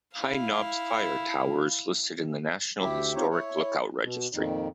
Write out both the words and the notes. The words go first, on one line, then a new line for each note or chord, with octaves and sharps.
High Knob's fire tower is listed in the National Historic Lookout Registry.
E4 F5
D2 E4 G4 E5
C4 D#4 F4 G4 C5 C#5
E4 C#5
B2
F2 A#2 D#3